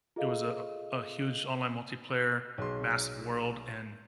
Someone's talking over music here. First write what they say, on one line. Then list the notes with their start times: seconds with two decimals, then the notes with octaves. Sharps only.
it was a a huge online multiplayer massive world, and
0.16 F4 G#4 A4 D#5 F5
2.58 B1 G#4 C6